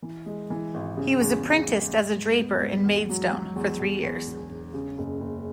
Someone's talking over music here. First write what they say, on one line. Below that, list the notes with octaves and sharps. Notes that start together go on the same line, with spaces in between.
He was apprenticed as a draper in Maidstone for three years.
E3
G#3
E3
G#1
C#3
E2
C#3
G#3
G#2
G#2
B3
G#2
E2
F#3
F#3
E2
E2
E2
E1
E1
C#3
F#1
F#1